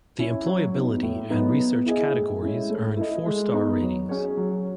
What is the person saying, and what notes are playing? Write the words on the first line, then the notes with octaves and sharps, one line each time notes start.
The employability and research categories earned four star ratings.
C#4 E4
F#3
B3 D#4
A2
F#3 B3 D#4
B3
E4 G#4 D#5
A2
G#3 C#4 E4
A3
E4 A4 D#5
G#3
B3 D#4
F#3
C#4 G#4 C#5
F#3